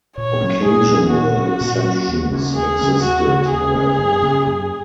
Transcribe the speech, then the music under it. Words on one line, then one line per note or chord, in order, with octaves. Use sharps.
Occasional exceptions existed, however.
A#2 C#5
F#3 A#3 C#4
A#2 G#4
F#3 A#3 C#4
A#2 F#4
F#3 A#3 C#4
A#2
F#3 A#3 C#4
D#2
C#3 A#3 C#4
D#2 G#4
C#3 A#3 C#4
D#2 F#4
C#3 A#3 C#4
D#2 G#4
C#3 A#3 C#4
F#2
C#3 A#3 C#4
F#2